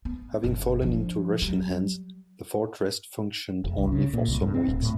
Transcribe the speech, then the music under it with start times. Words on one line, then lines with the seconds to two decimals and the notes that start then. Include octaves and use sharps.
Having fallen into Russian hands, the fortress functioned only for some weeks.
0.05 B3
0.44 F#1
0.82 D3 F3
1.42 F#3 G3
3.64 F1
3.78 C2
3.92 C#3
4.13 A#2
4.28 C2
4.41 G2
4.54 C4
4.68 D1
4.82 A2